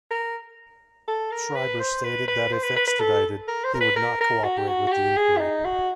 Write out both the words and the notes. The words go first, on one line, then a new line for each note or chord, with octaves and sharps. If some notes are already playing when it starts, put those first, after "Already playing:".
Schreiber stated that if extradited, he would not cooperate with the inquiry.
A#4
A4
A#4
B4
C5
B4
B4
C5
B4
B4
B4
A4
A#4
C5
A#4
B4
A#4
A#4
F#4
G4
F#4
F#4
G4
G#4
E4
D#4
F#4